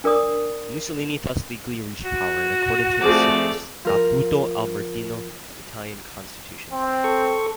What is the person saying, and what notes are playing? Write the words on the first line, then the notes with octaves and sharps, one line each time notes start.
Mussolini thus legally reached power, in accordance with the Statuto Albertino, the Italian Constitution.
D4 A#4 D5 D#6
F#4
F3 A3 C4 G#4 D5
F3 A#4
C4
A4 C#6